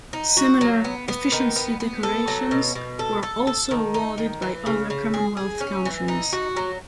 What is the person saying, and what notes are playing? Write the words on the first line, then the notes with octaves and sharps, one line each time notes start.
Similar Efficiency Decorations were also awarded by other Commonwealth countries.
D#4
F#4
F#3
B3
B3
D#3
B3
B3
A4
F#3
B2
B2
A4
A4
A4
D#3
D#4
D#3
E3
C#3
C#3
G#4
G#4
C#4
E3
D#4
F#4
F#3